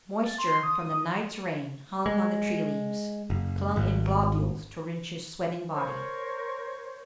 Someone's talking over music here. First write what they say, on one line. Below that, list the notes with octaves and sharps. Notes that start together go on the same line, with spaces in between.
Moisture from the night's rain hung on the tree leaves, clung in globules to Rynch's sweating body.
A6
C6
D#6
D#6
G#3
F#1
G#1
A#4 C5 C#5